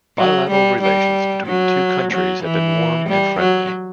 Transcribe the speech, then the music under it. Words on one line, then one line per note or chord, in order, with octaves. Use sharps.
Bilateral relations between two countries have been warm and friendly.
F#3
G3
G3
F#3
F#3
E3
G3
F#3